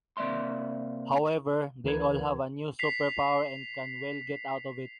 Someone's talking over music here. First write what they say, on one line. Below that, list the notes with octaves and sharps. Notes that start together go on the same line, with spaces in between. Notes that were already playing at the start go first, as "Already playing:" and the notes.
However, they all have a new super power and can well get out of it.
C3 A#3 D5 E5 C6
D2 E3 A#4 B4 G#6
B6 C7 F7